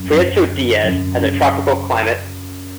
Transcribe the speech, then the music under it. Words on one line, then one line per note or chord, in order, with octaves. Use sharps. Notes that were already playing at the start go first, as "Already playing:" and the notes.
Prieto Diaz has a tropical climate.
Already playing: F#2
F#2
D3
F#2
C#3